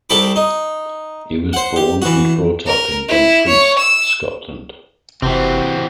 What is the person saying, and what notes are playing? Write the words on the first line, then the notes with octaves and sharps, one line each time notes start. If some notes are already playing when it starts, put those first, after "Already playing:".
He was born and brought up in Dumfries, Scotland.
C2 G4 A4 A5 B5 D6
D#4
C5 F#5
G4
E3 F#4
A#4
E4
C#5
E6
F#1 C3 E3 C4 F#4 C5